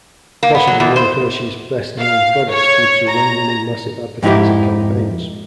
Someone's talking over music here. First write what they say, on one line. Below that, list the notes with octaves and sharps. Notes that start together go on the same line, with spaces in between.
Possibly one of Hershey's best-known products due to long-running massive advertising campaigns.
A#3
B3
F#3
E2
C5
F5
C#5
A#5
F2 G#2 D#4 E4 G4